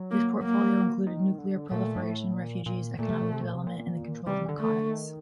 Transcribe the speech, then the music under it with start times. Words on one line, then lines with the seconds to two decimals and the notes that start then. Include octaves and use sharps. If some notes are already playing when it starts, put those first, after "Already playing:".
His portfolio included nuclear proliferation, refugees, economic development, and the control of narcotics.
Already playing: F#3
0.11 A#3
0.43 A#3
1.07 D#3
1.38 D3
1.70 A#2 A3
1.96 G2
2.03 A2
2.34 A#2
2.66 A#2
2.99 A#2 A3
3.10 C3
3.21 A#2
3.33 C3
3.44 A#2
3.55 C3
3.67 A#2
4.27 C3 G3
4.48 D3
4.59 A3
4.69 D3
4.90 D#3